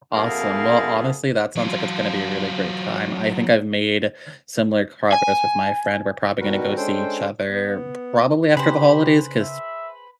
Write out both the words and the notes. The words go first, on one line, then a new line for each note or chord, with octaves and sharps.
Awesome. Well, honestly, that sounds like it's gonna be a really great time. I think I've made similar progress with my friend. We're probably gonna go see each other probably after the holidays 'cause
F#2 B2 A3 A#3 G#4 F5
F#3 F4
G#5
B2 D#3 G3 F#4 A#4 B4
G#3 C#4 D4 A4 C5 G5
B3
C#3 G4 G#4 B4 C5
E5